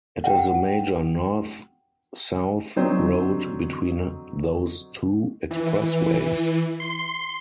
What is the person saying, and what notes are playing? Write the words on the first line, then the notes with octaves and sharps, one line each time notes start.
It is the major north-south road between those two expressways.
F#5 G5
D3 F#3 C4 D#4 C5
E3
C6